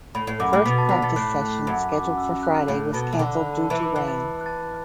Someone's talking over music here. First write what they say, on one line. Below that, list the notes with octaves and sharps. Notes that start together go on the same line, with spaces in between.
First practice session scheduled for Friday was cancelled due to rain.
A2 B5
A2
F#2 D6
B5
A2 D6
B2 B5 B6
A5 A6
D3 B5 B6
B2 A5 A6
A2 F#6
F#6
F#2 B5
D6
E6
F#6
A2 B5
B2 A5
B2 A5
D3 B5
B5
A5
A5
E3 B5
D6
E3 F#6
A5 A6
F#6
A5 A6